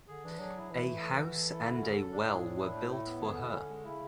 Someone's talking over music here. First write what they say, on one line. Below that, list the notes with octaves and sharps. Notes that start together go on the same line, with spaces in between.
A house and a well were built for her.
D3 G#4
E3 D4
F#3 G#4
E4
E3 E4
A3
A4
F#4
A4
E4
D3 F#4
C#4
A4
D4
A2 G#4
D4
E4
A3
E4
B3
D3 G#4
E4
C#4
G#3
C#3 E4